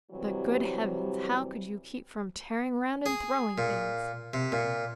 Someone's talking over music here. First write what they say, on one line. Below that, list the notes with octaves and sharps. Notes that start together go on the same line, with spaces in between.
"But, good Heavens, how could you keep from tearing 'round and throwing things?"
C3 E3 F#3 G3
G#4
A#2
C3
A#2